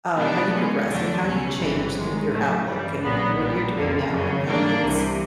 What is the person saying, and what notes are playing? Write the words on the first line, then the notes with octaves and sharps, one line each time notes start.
um, how you progressed and how you changed the your outlook and what you're doing now and how things,
B2 G3 B3 D4
B2 G#3 C#4
F2 D3 F#3 A3 D4
C#2 B2 F#3 A3 C#4
G1 F2 C3 E3
F#2 D#3 G#3
A2 F#3 A3
G2 E3 G3
A#1 A#2 F#3 B3
A#1 A#2 G3 B3
F2 D3 F3 A#3
F#2 C#3 F#3
G#2 E3 G3 A#3 D4
C2 C3 E3